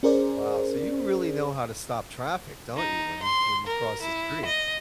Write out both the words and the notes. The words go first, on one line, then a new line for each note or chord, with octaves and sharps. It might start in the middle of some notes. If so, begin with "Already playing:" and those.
Wow, so you really know how to stop traffic, don't you? When you when you cross the street.
C#4 G#4 A#4 C5 D5
D#4
C6
A#4
E4
D#5